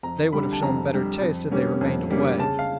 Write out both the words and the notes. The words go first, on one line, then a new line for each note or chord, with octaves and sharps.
"They would have shown better taste had they remained away."
F2 A#5
D3 G3 B5
A5
F2 A#5
D3 G3
F2
D3 G3 A#3 C#4
F2
D3 G3 A#3 C#4
C#3 A5
F5